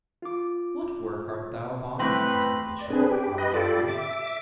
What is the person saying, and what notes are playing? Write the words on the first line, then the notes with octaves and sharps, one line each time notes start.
'What work art thou upon?' asked the bishop, drawing rein.
F4 D6
A2 C4 B4 G5 C6 C#6 A#6 F#7
D5
C4 D4 G#4 B4
G4
B4 D#5
F4 G4 A4 D5
E5 D6